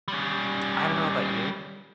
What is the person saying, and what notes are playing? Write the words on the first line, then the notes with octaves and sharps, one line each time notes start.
I don't know about you,
G3 C#4